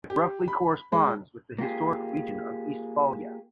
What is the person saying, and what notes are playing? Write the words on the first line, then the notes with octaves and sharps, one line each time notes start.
It roughly corresponds with the historic region of Eastphalia.
G4
B5
G#3
A#3 F4 G4 G#4